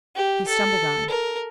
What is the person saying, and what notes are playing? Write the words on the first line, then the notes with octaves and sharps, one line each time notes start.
He stumbled on.
G4
A4
A#4